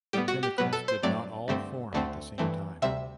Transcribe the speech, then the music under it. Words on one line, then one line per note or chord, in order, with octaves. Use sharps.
The pinnacles did not all form at the same time.
A2 G3 B3 G4
F#4
G4
B2 F#3 B3 B4
A4
C5
G2 F#3 A3 C4 D5
G2 D3 A3 C4
D2 D3 A3 C4
G2 E3 A3 C4
D2 C3 G3 C4 E5